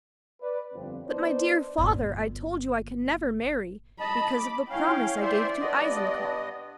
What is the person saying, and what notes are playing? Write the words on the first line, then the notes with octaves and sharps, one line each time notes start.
'But, my dear father, I told you I can never marry, because of the promise I gave to Eisenkopf.'
B4 D5
G1 F2 F3 C4
B3 D4 D#4 B4 C5 D5
G1 A#2
D#5 A5 B5
D6
C#4 E4 F5 G5
C5 D5 E5 C6
G2 B3 D#5